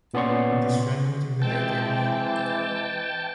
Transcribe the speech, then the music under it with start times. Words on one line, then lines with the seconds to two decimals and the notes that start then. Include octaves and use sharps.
It is rendered in the late evening.
0.14 A#2 B3 C#4 D5 C6 C#6
1.42 E3 G#3 C4 G5 A5